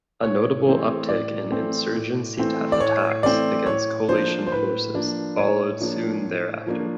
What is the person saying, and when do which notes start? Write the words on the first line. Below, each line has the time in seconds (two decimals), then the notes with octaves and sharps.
A notable uptick in "insurgency" attacks against coalition forces followed soon thereafter.
0.23 A2 C#5
0.66 E3 A3 C4
1.09 A2 D5
1.52 E3 A3 C4
1.94 A2
2.37 E3 A3 C4
2.72 D5
2.80 A2 C#5
3.23 E3 A3 C4 D5
3.66 A2 C#5
4.09 F3 A#3 D4 C5
4.46 C5
4.51 A2 B4
4.95 F3 A#3 D4
5.37 A2 C#5
5.80 F3 A#3 D4
6.23 A2
6.66 F3 A#3 D4